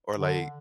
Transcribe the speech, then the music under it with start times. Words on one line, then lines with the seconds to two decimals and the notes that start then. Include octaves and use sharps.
or, like,
0.17 D3